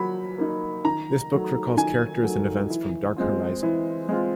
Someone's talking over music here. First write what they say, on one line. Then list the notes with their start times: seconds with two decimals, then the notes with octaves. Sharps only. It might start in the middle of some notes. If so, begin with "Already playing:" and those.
This book recalls characters and events from "Dark Horizon".
Already playing: F#3 A#3 B5
0.38 A#3 D#4
0.85 D#3 A#5
1.31 F#3 A3
1.77 D#3 G#5
2.23 F#3 A3
2.70 E3
3.17 G#3 C4 F4
3.63 E3
4.09 G#3 C4 F4